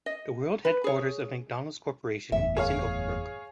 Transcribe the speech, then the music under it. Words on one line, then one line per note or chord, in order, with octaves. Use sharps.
The world headquarters of McDonald's Corporation is in Oak Brook.
D#5
B4
G#4 C#5
F#1 E2 A2 E5
G#4 C#5 F5